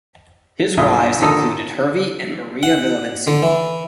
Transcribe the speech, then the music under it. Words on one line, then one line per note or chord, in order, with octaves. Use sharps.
His wives included Hervey and Maria Villavincie.
B1 G2 A#2 D#5
A#2 D3 D#3 D#4 A4
F#5
D3
E3